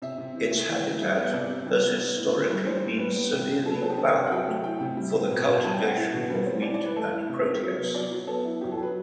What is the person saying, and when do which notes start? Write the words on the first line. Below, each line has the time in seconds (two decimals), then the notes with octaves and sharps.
Its habitat has historically been severely ploughed for the cultivation of wheat and proteas.
0.02 C3 E5
0.18 C3
0.35 E3
0.51 A3
0.68 E3
0.85 E3
1.01 G3 E5
1.12 E5
1.17 B3
1.23 E5
1.33 C3 D5
1.50 C3
1.66 G3
1.83 B3
2.01 B3
2.17 A2
2.33 E3 B4
2.50 G3
2.66 D4 C5
2.82 A2
2.99 G3 B4
3.16 B3
3.33 C3 G4
3.49 C3
3.65 F#3 A4
3.74 B4
3.82 C4 A4
3.90 G4
3.98 D4 A4
4.15 C3
4.27 F#5
4.31 F#3 G5
4.48 A3
4.64 E4 G5
4.80 C3
4.97 G3
5.14 C4
5.30 B2
5.47 B2
5.64 G3 A5
5.74 G5
5.80 C4 F#5
5.96 E4
6.13 B2
6.30 G3
6.46 C4
6.62 E3 D5
6.74 D5
6.79 E3
6.85 B4
6.96 A3 A4
7.12 E4
7.29 C3
7.46 C3
7.62 F#3
7.78 B3
7.94 F#3 D5
8.11 F#3
8.27 B3 A4
8.45 E4
8.61 F#3 G4
8.72 A4
8.78 F#3 B4